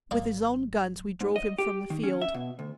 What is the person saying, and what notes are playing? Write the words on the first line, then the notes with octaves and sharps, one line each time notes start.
With his own guns we drove him from the field.
G#1 F#3 A#3 D5
G#2
D#5
G4
D#3
C#4
E5
B2
D2